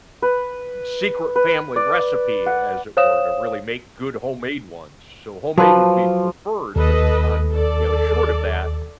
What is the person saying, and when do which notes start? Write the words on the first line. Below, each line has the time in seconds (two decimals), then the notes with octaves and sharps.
secret family recipe, as it were, to really make good homemade ones. So, homemade would be preferred, but on you know, short of that,
0.22 B4
1.36 B4
1.76 D5
2.46 F#5
2.97 C5 C#5 F5 D#6 E7
5.58 F3 F#3 B4
6.76 D#2 A4 B4 D#5
7.51 A4 D5